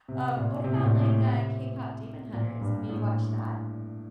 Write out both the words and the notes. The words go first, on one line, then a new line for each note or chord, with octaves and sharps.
Um, what about, like, uh, K-Pop Demon Hunters? Have you watched that?
C3
A#2
C3
A2
A#2
A2
C3
A#2
G2
A2